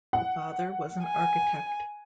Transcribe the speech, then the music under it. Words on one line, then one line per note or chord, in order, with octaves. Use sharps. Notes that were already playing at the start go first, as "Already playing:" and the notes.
The father was an architect.
F#5
G#5